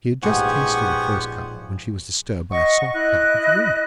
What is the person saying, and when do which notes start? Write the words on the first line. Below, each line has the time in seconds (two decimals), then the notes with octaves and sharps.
She had just tasted her first cup, when she was disturbed by a soft tap at the room-door.
0.23 A#1 G#2 B3 G4 C5 F#5 G#5 C#6
2.51 D#5 F#5 C#6
2.94 E4 D#5 F#6